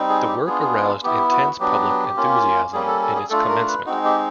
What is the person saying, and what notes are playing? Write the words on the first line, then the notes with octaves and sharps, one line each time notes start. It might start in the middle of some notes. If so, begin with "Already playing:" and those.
The work aroused intense public enthusiasm in its commencement.
Already playing: G3 C4 D#4
G#4
G4
B3 D4 F4 G#4
B3 E4 G4
F#4
F#3 B3 D4 G4
A#3 C#4 F4
G3 A#3 C#4 G#4
A4
A4
G#4
A3 D4 F4 A4
A#4
B4
G#3 C4 D#4 F#4
G4